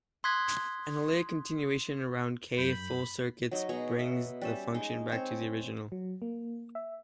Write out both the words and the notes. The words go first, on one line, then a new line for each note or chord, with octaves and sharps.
Analytic continuation around "k" full circuits brings the function back to the original.
C6 D#6 F#6 G#6 B6
F#2 B5 G6
F#3 D#4 C#5 D#5
B2 G#4 A#5 C#6
D#5 E5
G3 C#4 E5
G#3 D#4
C4 C5 C#5
F#3
A#3
E5